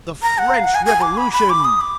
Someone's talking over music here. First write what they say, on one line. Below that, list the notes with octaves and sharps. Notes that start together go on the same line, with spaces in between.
"The French Revolution!"
A#5
F#5
F5
F#5
G#5
G#5
D6
B5
B5
D6
D#6
D6